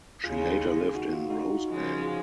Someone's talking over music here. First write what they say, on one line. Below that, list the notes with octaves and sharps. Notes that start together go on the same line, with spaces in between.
She later lived in Rosebank.
D#2 C#3 G#3 F4 G#4
D#4 F#4
F4
D#4 F#4
C#3 F3 G#3 C#4
F4 G#4